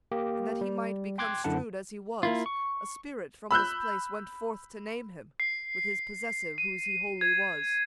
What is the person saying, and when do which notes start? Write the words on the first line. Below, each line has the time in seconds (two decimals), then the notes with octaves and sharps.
And that he might be construed as he was, A spirit from this place went forth to name him With His possessive whose he wholly was.
0.12 A#3 G4
0.61 G3
1.18 G5 C6 D6 F#6 G#6
1.44 F#2 D3 E4 F#5 A5
2.23 A#3 E4 F4
2.46 C#6
3.51 B5 E6 F#6 G6
5.40 C7
6.58 D#7
7.21 G#6